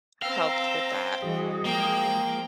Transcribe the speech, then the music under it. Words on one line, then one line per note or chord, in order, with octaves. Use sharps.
helped with that.
C4 F5 G5 A#5 E6
E3 G3 F#4 G#4 D#5
F3 G#3 A#3 G5